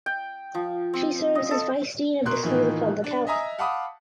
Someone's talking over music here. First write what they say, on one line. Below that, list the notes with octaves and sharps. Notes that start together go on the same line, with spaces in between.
She serves as Vice Dean of the School of Public Health.
G5
F3
C4
D#5
A4
B2 A#4 C6 F#6
A2 D#3 E3 A#3 D#4 F4
D4
D#5 E5 G#5 A#5 D#6
F5 F#5 A5 B5 D6 D#6